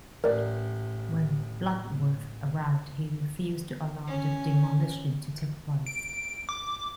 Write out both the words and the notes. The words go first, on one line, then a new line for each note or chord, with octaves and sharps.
When Bloodworth arrived, he refused to allow the demolition to take place.
A1 A#4 D5
C#4
D7
D6